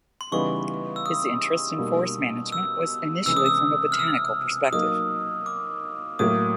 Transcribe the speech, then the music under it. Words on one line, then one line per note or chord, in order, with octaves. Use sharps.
His interest in forest management was initially from a botanical perspective.
C6
C#3 E3 G3 B3 D#4 C#6
E6
D#6
B2 G3 A#3 D#4
E6
C3 E3 G#3 C#4 E4 E6
D#6
E6
F6
E6
F#3 A#3 D#4 D#6
D6
A2 F#3 A#3 D#6